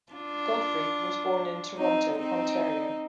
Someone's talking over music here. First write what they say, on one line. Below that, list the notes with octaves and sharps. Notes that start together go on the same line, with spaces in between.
Godfrey was born in Toronto, Ontario.
D4 F4
C4 D#4
C4 D#4